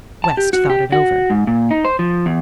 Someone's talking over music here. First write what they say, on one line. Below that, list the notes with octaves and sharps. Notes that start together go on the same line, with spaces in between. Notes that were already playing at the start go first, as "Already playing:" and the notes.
West thought it over.
A5
G4
F#4
G4
F#4
G#2
A#2
D#4
C5
F3
E2